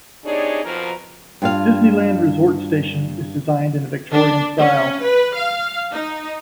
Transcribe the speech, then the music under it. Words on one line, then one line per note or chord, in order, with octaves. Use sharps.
Disneyland Resort station is designed in a Victorian style.
C3 D4 D#4 G#4 C#5 D5
F2 B2 F3 A#4
G2 F4 F5
D4
C#4
B4
F5
D#4